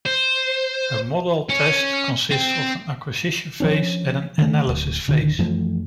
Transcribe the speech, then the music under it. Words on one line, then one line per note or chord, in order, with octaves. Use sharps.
A modal test consists of an acquisition phase and an analysis phase.
C5
C#4
C4
F3 C#4 D4
D#3 A3
D1
D1 D3 D#3 D4
F#2 E3 F3 A3